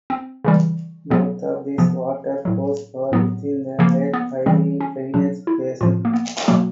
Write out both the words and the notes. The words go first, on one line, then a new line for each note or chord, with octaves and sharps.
Both of these watercourses are within the Lake Eyre drainage basin.
C4
C#3 E3 G3
B2 F#3 B3
C3 F3 B3
A2 F#3
A2 F#3 B3
C#3 F3 A#3
B3
C#3 E3 G3 C4
C#4
B2 F#3 D4
E4
A2 F3 F4
A#3
B3
B2 F#3 A#3